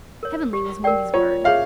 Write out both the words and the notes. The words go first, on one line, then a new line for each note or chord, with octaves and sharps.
Heavenly was Wendy's word.
A#4 C#5
G4
A#4 D5 G5
F4 C#5
G#4 C#5 E5 F5